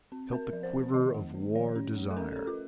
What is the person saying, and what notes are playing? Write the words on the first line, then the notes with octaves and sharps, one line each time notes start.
He felt the quiver of war desire.
C4
C4 A#4
F3
C5
C4
D#3 D#5
A3
D#3
F3 C#5
C#4
A3
A4
C#4 A#4
A4
C#4
F4